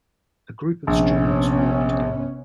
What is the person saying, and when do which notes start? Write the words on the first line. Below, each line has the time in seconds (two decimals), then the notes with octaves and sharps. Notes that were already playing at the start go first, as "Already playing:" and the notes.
A group of students walk together.
0.87 A#1 C3 B3 C#4